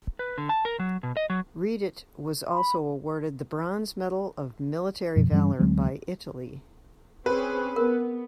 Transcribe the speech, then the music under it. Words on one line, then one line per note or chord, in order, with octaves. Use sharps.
Readitt was also awarded the Bronze Medal of Military Valor by Italy.
B4
D3
A5
A#4
F#3
B2
D#5
F#3
B5
F#2 B2 F3
G2 E3 G3 C#4
D2 F#3 G#3 C4
C4 C#4 G#4 B4
B3 A#4